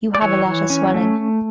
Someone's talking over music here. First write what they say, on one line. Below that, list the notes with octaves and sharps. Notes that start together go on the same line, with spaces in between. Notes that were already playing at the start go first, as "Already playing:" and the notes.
You have a lot of swelling.
D5
E3 C#5
E3
C#4
A3